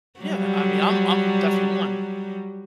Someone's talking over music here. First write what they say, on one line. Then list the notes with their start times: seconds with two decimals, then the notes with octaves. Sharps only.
yeah, I mean, I'm I'm definitely one.
0.20 F#3 G3